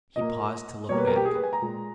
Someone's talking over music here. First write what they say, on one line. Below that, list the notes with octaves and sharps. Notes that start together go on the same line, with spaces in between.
He paused to look back.
A#2 A#3 D#5
B2 G3 A#3 C#5
B4
A#4
G4
G#4
B4
G#5
A#5
A#2 G#3